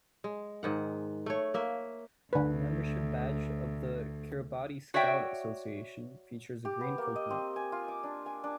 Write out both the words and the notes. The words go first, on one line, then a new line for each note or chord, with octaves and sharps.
The membership badge of the Kiribati Scout Association features a green coconut.
G#3
G#2 D#3 F#5
A3 C#5
A#3 E5
D2 D3 B4
F#4 C#5 D5 E5 G5
G4
B3
A#3
D#5
C4
G#5
F4
D6
D4
G#5
D4